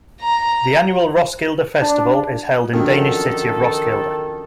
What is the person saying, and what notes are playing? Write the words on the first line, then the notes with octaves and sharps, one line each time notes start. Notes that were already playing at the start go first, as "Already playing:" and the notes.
The annual Roskilde Festival is held in Danish city of Roskilde.
A#5
D4
F2 D#3 C#4 D4 F#4 A4